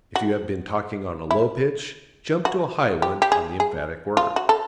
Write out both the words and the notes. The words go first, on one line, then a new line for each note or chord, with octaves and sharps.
If you have been talking on a low pitch, jump to a high one on the emphatic word.
F#4
E4
F#4
G4
G4
G#4
G#4
F4
F#4
A4